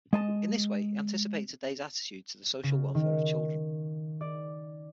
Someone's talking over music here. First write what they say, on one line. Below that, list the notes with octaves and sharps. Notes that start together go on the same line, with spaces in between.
In this way he anticipated today's attitude to the social welfare of children.
G#3 D#5 A5
C#3
D#3
D5